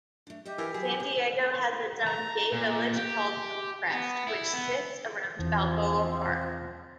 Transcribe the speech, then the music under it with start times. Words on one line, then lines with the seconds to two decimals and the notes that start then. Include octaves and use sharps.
San Diego has its own gay village called Hillcrest, which sits around Balboa Park.
0.27 A3 D4
0.45 G4 C5 D#5 E5
0.58 E3 A#4
0.74 F#3 F#4 G#4
1.00 B3
2.07 A#5
2.52 A#2
2.96 G4
3.90 B3
4.27 E4
4.53 B3
5.39 E2 E3 F3 C4